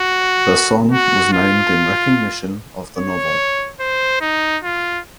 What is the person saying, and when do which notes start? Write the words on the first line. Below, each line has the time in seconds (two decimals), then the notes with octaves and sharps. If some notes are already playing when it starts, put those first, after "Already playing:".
The song was named in recognition of the novel.
Already playing: F#4
0.92 F#4
1.33 F4
2.97 C#5
3.80 C5
4.21 D#4
4.63 F4